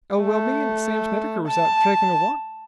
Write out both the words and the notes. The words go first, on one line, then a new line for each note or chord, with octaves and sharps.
Oh, well, me an' Sam Snedecker was out takin' a walk.
A3
A5